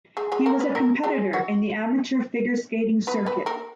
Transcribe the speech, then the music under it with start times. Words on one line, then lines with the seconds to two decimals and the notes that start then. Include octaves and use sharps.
He was a competitor in the amateur figure skating circuit.
0.17 G#3 G#4
0.32 G#3 G#4
0.46 A#3 A#4
0.60 B3 B4
0.75 A#3 A#4
1.04 G#3 G#4
1.33 F#3 F#4
3.07 B3 B4
3.26 B3 B4
3.46 A#3 A#4